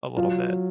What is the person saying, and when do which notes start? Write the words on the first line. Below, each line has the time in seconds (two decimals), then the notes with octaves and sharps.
a little bit,
0.17 F#3 F4